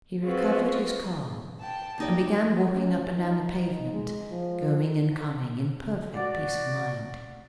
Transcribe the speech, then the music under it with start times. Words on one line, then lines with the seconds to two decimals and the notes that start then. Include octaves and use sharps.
He recovered his calm, and began walking up and down the pavement, going and coming, in perfect peace of mind.
0.25 C4 F4 F#4 G#4 B4 C5
1.61 G5 A5
1.98 D#2 D#4 G4 D5
2.73 C#4
3.18 D#4
3.93 G#3
4.31 F3
6.15 F#4 D5